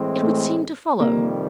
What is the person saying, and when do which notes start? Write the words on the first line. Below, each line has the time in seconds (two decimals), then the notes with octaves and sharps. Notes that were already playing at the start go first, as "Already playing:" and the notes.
'It would seem to follow.'
Already playing: A2 E3 G#3 C4
0.22 A3
1.00 F2 C3 D#3 G3 A#3